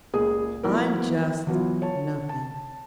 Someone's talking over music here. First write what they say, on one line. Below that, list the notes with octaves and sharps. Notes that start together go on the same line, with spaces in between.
"I'm just nothing."
C#2 A#2 G#4 D#6
F3 B3 E4 F#4 A#4
E3 F#3 B3 F4
C#5 A5
A5